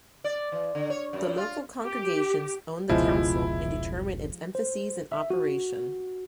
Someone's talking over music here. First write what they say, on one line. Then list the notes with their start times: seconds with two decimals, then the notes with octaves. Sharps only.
The local congregations own the Council and determine its emphases and operation.
0.24 D5
0.52 E3
0.75 D3
0.90 C#5
1.13 F#2
1.38 F4
1.84 G4
2.89 F1 C#2 B2 F3 G#3 E4
4.55 C5
5.12 E5
5.30 F#4